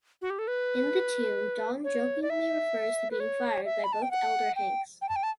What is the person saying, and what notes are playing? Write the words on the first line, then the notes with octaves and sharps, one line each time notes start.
In the tune Don jokingly refers to being fired by both elder Hanks.
F#4
G4
A4
B4
C#5
D5
E5
B4
C#5
E5
B5
A5
G5
F#5
G5
G5
A5
G5
A5